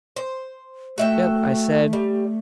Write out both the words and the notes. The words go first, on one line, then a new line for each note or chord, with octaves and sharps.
"Yep," I said.
C5
A3 F#4 E5 G5
G3